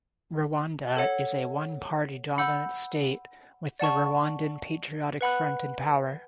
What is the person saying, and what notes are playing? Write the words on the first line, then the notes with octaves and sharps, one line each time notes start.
Rwanda is a one-party-dominant state with the Rwandan Patriotic Front in power.
A4 C#5 F#5
F#5 B5 E6 G6
D5 F#5 A5 C#6
B4 F#5 B5 F#6